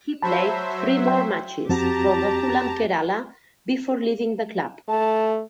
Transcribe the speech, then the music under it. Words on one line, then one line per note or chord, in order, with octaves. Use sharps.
He played three more matches for Gokulam Kerala before leaving the club.
F#3 C5 E5 A5 B5
G5 C6
F2 C4 F#4 G4 A5 A#5
A3 A5